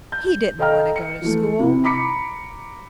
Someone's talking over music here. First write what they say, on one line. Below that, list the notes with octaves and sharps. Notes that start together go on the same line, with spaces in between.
He didn't want to go to school.
G6
A4 D#5 F5 G5 A#5 F6
C#7
E3 A3
C3 E4
A#5 B5 D6 B6 C#7